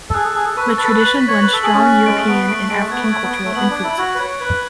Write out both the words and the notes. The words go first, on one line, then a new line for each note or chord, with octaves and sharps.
The tradition blends strong European and African cultural influences.
A4
G#4 F#6
A4
G#4 F#6
A4
B4 C#6
A4
B4 A6
A4
B4
B4 F#7
B6
C#5
B4 F#7
A4
G#4 F#7
C#4
F#6
G#3 D7
A3
B3 D7
A3 D7
G#3 D7
A3
B3 G#6
A3
A3 G#6
B3
D7
A3
B3 F#7
D4
G#6
E4
F#4 G#6
B4
C#5 G#6
B4 F#6